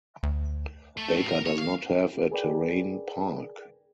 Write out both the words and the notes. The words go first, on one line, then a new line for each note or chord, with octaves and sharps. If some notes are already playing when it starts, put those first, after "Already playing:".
Baker does not have a terrain park.
D2
A3
A2
A#4
C#5
F5
G#4 A#4 B4 D5 G5